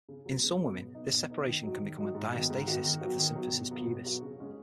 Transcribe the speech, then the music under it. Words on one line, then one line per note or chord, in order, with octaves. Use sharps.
In some women this separation can become a diastasis of the symphysis pubis.
C#3
F#3 B3
C#3
F#3 B3
B2
B3 D#4
B2
B3 D#4
D#3
F#3 D#4 F#4
D#3
F#3 D#4 F#4
G#2
D#3 B3 D#4 F#4
G#2
D#3 B3 D#4 F#4
D#3
F#3 B3 F#4
D#3
F#3 B3 F#4
B2
F#3 B3 F#4
B2
F#3 B3 F#4
C#3
G#3 C#4